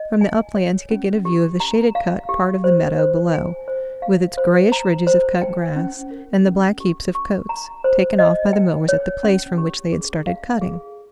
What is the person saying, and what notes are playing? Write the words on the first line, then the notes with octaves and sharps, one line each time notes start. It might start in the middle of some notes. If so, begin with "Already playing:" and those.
From the uplands he could get a view of the shaded cut part of the meadow below, with its grayish ridges of cut grass, and the black heaps of coats, taken off by the mowers at the place from which they had started cutting.
Already playing: D#5
G#5
C#5
C#4
G4
A#5
F5
G4
C5
C5
G#5
C5
F5
C5
A#5
C5
G5
C#4
A#4
C#4
G4
C#6
A#5
C5
D#5
G5
C#5
C#4
G4
G#4
F5
G#4